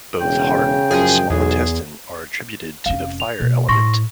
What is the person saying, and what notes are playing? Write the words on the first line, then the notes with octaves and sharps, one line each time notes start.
Both Heart and Small Intestine are attributed to the Fire element.
E1 C#3 G5
F#2 F3 G#4
B1 E2 G#4
F1 C#4 F5
F7
B2 A#3
A2 C6 C#6 A#6